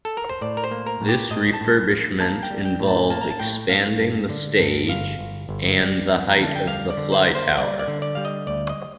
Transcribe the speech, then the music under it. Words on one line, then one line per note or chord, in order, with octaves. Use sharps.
This refurbishment involved expanding the stage and the height of the fly tower.
A4
A#4
C5
A2 D5
A#4
C5
A#3
A#4
A2
G4
A2 D#5
A5
A2
F3
A#3 A5
G5
G3
G5
A2
A5
A#3 A5
A#5
A5
A2 G5
A2 F5
G2
D3
G2
G1 F5
G1
G1
G3
F2
A#5
D3 A5
G5
G3 F5
D5
D3
C5
A#3
C5
G3 D5
D5
D3
D5
G3 F5
D#5
D2 D5
D#5